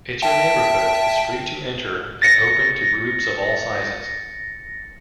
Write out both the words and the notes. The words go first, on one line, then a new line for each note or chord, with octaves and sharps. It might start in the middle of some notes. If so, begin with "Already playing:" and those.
It's Your Neighbourhood is free to enter and open to groups of all sizes.
E5 G5 A5
A6 A#6 C#7